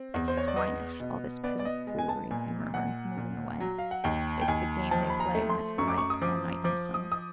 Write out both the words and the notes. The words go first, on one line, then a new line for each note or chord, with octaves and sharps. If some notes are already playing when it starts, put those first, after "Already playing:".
"It's swinish, all this peasant foolery," he murmured, moving away; "it's the game they play when it's light all night in summer."
Already playing: C4
E2
C5
C#5
D5
B3 D#5
B2
B3 D5
D5
D#5
G#3
G#5
A5
A#2 G#5
A#2 F#5
A#2
F#3
F5
F#5
D#2 G5
G5
D#2 G#5
F3 A5
B5
A#5
A3
C6
F#2 C#6
D6
C#6
D#6
F3 D6
F3 D6
D#6
D#6